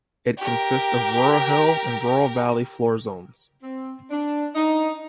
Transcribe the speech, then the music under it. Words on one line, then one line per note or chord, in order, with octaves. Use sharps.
It consists of Rural Hill and Rural Valley Floor zones.
G4 A#4
C4
D4
D#4